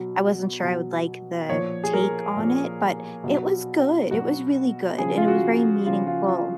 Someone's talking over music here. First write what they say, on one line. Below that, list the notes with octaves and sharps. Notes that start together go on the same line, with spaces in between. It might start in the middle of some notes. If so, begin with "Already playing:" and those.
I wasn't sure I would like the take on it, but it was good, it was really good, and it was very meaningful.
Already playing: B2 F#3
B2 F#3
A#2 F3 C#5
G#4
A#4
A#2 F3
B2 F#3
B2 F#3 F#4
C#3 F3 G#4
F4
F#4
C#3 F3 F4
F4
F4